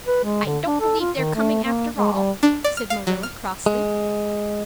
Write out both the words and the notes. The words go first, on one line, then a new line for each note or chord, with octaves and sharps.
"I don't believe they're coming after all," said Marilla crossly.
B4
G#3
D3
D4
A4
F4
D#3
A3
A#3
G#3
G3
D4
D5
F6
F5
F#3
F6
G#3